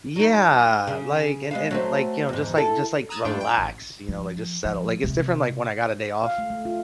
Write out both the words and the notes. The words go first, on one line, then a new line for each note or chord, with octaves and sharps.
Yeah, like, and and, like, you know, just, like, just, like, relax, you know, like, just settle, like, it's different, like, when I got a day off,
F#3 D#4
C#3
G#3 B3 F5
F#3 A3 C4
E2 G#2
E4 A4
A#5 D#6 E6 F#6 G#6 A6
F2 G#2 A3 D4 F4 G5
G5
A1
F3
F3
C3 A#3
F5
A3
A3
F4